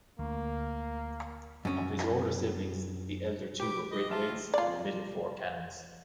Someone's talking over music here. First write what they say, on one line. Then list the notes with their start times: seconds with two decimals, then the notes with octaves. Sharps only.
Of his older siblings, the elder two were Braithwaites and the middle four Cannons.
0.19 D2 A#3
1.65 F#2 C#4
3.60 G4 B4 D6
3.92 D#5
4.10 F#2 F4 E5 A5
4.27 D#2 A2
4.54 F4 D5